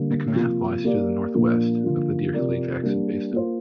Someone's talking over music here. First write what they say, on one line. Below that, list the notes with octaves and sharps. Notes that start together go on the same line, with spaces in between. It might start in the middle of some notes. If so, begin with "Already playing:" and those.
McMath lies to the northwest of the Dirichlet-Jackson Basin.
Already playing: D3 G3 A#3
C3 F3 A#3
A#3 G4 D5
A#2 F3 A#3 D4
D3 F3 A#3
C3 F3 C4 A#4 D5
G3 A#3 D4
A#3 F4 C5